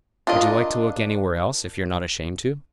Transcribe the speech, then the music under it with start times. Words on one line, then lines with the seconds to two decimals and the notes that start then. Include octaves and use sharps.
"Would you like to look anywhere else if you're not ashamed to?"
0.27 D4 F4 A#4 D#5